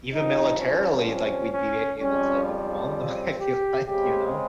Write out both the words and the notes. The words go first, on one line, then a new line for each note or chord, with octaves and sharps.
even militarily, like, we'd be a able to overwhelm them. I feel like, you know?
G2 F3 C4 D#4
C#4
C#4
C#4
F2 C#3 G3 C#4
C4
G4
C#3 G#3 C4 G4